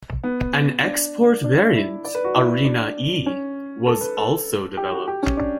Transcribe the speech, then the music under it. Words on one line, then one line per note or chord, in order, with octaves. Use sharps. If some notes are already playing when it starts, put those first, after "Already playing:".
An export variant, "Arena-E", was also developed.
B3
D4
D4
E4
D5
B4
F#4
E4
D4
C#4
A4
B4
A4
G4
F#4
G4
C#4
D4